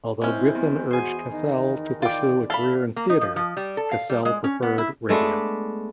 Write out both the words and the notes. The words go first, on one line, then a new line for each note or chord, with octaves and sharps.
Although Griffith urged Kasell to pursue a career in theatre, Kasell preferred radio.
G#3 C4 C#4 E4
E2
F#4 G#4 C5 G#5
D#3 D#4
F4 D5 G5 D6
A4 E5 F5 B5
A#3
D#4
F3
F3
G3
A4
F5
G3
G#3
C#4
B3
E4
G#3 A3 B3 D4